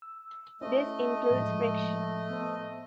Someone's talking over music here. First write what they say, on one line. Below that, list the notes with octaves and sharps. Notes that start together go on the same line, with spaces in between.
This includes friction.
E6
A3 C#4 E4 C5 D#5
A2 F3 G#3
B3 C5